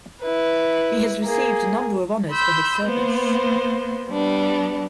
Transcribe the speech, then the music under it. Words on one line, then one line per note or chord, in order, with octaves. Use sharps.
He has received a number of honours for his service.
E4 B4
A#3 G#4
B5 C6 E6 G6
A#3 B3 C5
G3 B3 D4